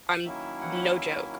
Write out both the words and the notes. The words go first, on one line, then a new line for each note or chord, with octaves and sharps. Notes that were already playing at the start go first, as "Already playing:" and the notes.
I'm no joke.
D#3 F#3 A#3 C#4 E4 E5
F#5
E5